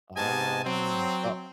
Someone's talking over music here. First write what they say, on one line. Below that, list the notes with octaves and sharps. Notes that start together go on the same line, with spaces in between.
Oh, well
G#2 B3 G4 D#5 G#5 A5
F#3 C4